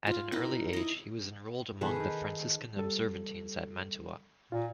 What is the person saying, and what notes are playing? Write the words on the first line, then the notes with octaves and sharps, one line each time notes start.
At an early age he was enrolled among the Franciscan Observantines at Mantua.
F4
D#4 E4 A#4 B4
E4 D#5
B2 D#3 E3 G#4 A4 B4
D#3 D#4
G3 A4
A#2 F4